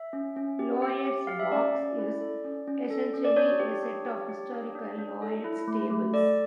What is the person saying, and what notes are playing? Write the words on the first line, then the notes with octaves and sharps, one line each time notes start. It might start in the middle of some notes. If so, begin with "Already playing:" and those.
Lloyd's Box is essentially a set of historical Lloyd's Tables.
Already playing: E5
C#4
C#4
G4
G4
G4
G4 F5
E5
C#4 D5
C#4
E4
A4
C#4
C#4
A4
C#4
D5
D4 C#5
G4
D4
G4
G4
D4
D4
D4
A4
E4
A3
A3
A4 D5